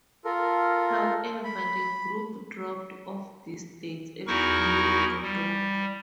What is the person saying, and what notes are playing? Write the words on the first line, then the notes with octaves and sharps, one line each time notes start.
However, the group dropped off these dates as new year broke.
F4 A4 A#4
B5
E2 D#4 E4 F#4 A#4 C#6
G3